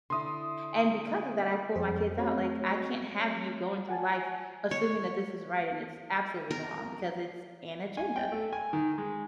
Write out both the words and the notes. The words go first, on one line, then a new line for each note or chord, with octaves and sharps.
and because of that, I pulled my kids out, like, I can't have you going through life assuming that this is right and it's absolutely wrong because it's an agenda,
D3 E4 C6 D#6
F2 G#4 C5
A3 C4 F#4 C#5
F#5 G#5 A5
C#5
A#4
G#5
G5
A3
G#5
D#3
G#3